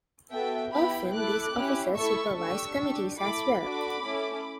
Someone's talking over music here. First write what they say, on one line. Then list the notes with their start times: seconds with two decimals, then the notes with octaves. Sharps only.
Often these officers supervise committees as well.
0.32 B3 F#4 A4 E5 G5
0.73 B3 E4 G4 G5 B5
1.14 A3 E4 A4 D6 F#6
1.55 C#4 E4 G4
1.96 A3 E4 A4 C#6 E6
2.37 D4 G4 C#6 E6
2.79 D4 G4
3.19 A3 E4 A4 B5 D6
3.60 D4 F#4 A4 B5 D6
4.02 A3 C#4 E4 A4